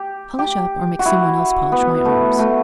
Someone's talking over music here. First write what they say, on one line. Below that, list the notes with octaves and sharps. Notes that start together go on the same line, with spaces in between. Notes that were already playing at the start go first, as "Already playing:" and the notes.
Polish up or make some one else polish my arms.
Already playing: G4
G4
F#4
E4
B3
A3
A3